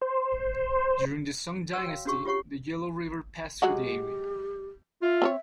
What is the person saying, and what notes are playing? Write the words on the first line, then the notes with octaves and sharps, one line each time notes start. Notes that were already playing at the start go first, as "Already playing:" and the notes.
During the Song Dynasty, the Yellow River passed through the area.
C5
F#4 C#5 E6
F5 G5
C#4 D4 F#4 G#4 C#6
F4 G4 C#5 F#5 C#6
F#3 G#3 F#4 G4
F4 E5
C4 C5 C#5